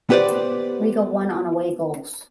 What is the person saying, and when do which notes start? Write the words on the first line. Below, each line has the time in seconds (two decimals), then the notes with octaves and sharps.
Riga won on away goals.
0.10 B3 G4 B4 C5 D5